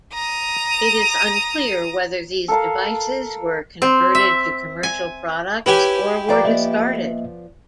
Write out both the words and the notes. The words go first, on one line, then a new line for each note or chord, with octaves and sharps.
It is unclear whether these devices were converted to commercial products or were discarded.
A#5 D#6
A4 A#4 F5 A5
C4
E5
G#5
E4 G4 B4 C#5 G#5
F3 B3 D5 G5 A#5 D6
A#3 D#5 E5